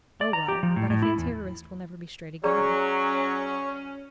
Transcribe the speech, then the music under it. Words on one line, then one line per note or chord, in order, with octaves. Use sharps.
"Oh, well, but I fancy her wrist will never be straight again."
D5
A#5
G4
F3
A2
A2
E4
E2
F#3 C#4 G#4 C#5 D5 A#5